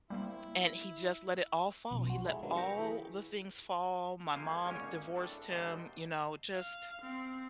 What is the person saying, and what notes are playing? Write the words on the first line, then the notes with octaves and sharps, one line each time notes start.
And he just let it all fall. He let all the things fall. My mom divorced him, you know, just
G3 A#3 C4 E4
B1 F#2 F3
F#4 C5
G#3 D#4 E4 A4
D3 F#3 G3 A#3 B3 A4
G5 A#5 B5 C#6 E6
E3 G#4
F2 G#3 A#3 C5 F5 G#5
G#1 D3 A#3 C#4 D#4 C#5
A2 D4 A4
D#2 G#2 C3 D4 D#4 C5
F5
C4 C7